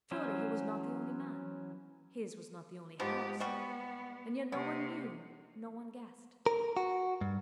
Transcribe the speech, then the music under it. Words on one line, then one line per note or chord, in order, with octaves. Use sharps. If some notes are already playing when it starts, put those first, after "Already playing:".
Surely he was not the only man; his was not the only house . . . and yet no one knew--no one guessed.
E3 F#3 C#4 C5
G#2 D#3 F3 B3 G4
G3 B3 F#4
C3 A#3 B3
A#4
F#4
G2